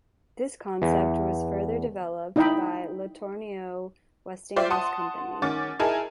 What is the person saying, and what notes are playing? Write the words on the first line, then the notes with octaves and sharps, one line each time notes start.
This concept was further developed by LeTourneau Westinghouse Company.
E2
D#4 E4 D#5 E5 G5 B5
F4 C5 D5 E5 G5
F#5 A5 C6 D#6
D#3 C#4 F#5 D6 A6
D#4 E4 G#4 A#4 G#5 A5